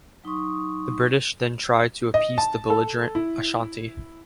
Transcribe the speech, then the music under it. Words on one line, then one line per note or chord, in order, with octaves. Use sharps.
The British then tried to appease the belligerent Ashanti.
F#3 D#4 C6 C#6 D#6
D#5
A5
A4
E4